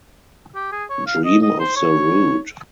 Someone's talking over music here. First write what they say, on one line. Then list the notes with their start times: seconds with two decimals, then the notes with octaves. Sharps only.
Dream of the Rood.
0.55 G4
0.72 G#4
0.90 C#5
1.07 F5
1.25 D#5
1.42 D#5
1.59 C5
1.76 C#5